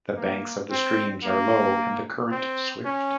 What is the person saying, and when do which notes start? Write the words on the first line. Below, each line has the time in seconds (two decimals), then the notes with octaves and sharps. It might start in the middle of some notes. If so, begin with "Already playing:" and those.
The banks of the Steams are low and the current Swift.
0.17 A#3
0.71 C4
1.24 A#3
2.31 C4
2.85 C#4